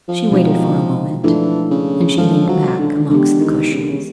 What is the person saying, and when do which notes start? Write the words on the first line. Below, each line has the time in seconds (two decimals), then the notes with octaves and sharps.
She waited for a moment, then she leaned back amongst the cushions.
0.08 F3
0.31 B2 G#3 C4 D#4 F#4
1.23 E3 F3 A3 D4 F4 A4
1.70 C#3
2.17 E3 F3 G#3 C#4 F4 A4
2.48 F#3
2.79 D3
3.10 D3 E3 G#3 B3 D4 G4
3.41 D#3
3.72 C#3
3.80 D3
3.89 C#3